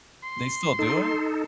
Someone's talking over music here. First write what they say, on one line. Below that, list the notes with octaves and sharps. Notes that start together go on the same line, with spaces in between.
they still do it?
C6
D#4 A4